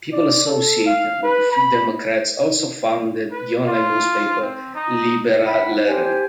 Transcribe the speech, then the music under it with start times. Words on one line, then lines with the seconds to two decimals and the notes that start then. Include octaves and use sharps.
People associated with the Free Democrats also founded the online newspaper "Liberaleren".
0.13 D5
0.47 A4
0.86 F5
1.23 B4
1.52 B5
3.31 B4
3.67 F4
4.41 C4
4.75 D#4
5.46 E5 F#5 G5 B5
5.86 G4 C5 G#5